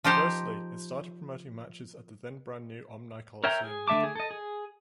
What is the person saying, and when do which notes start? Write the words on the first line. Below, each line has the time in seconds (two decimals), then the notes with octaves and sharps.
Firstly, it started promoting matches at the then-brand-new Omni Coliseum.
0.04 F3 D#4 G4 C5
3.44 A#4 C#5 E5 G5 A#5
3.64 G#4
3.88 D3 A3 E5 A5 D6
4.04 G#4
4.15 A4 D#5
4.31 G#4